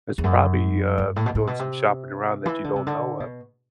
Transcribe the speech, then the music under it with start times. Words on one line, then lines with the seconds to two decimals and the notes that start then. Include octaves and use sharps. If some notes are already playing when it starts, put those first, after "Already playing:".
is probably, uh, doing some shopping around that you don't know of
0.18 E2
0.24 F#2
0.98 G2
1.16 A2
1.26 B2
1.35 A2
1.47 B2
1.59 C3
2.46 E3
2.64 D3
2.76 C3
2.87 D3
3.20 B2